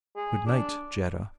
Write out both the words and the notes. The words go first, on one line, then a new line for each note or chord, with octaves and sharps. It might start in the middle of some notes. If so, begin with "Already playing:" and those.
"Good night--Jetta."
G#4
D4